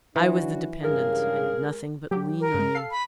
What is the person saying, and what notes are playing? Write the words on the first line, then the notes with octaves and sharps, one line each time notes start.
I was the dependent--I did nothing but lean on you.
E3 F#3 D4 F#4
G2 C#3 G#3 G#4 A#4 F5
F#3 G4 G5
A#4
G2 G#3
A4 F5 C7
B5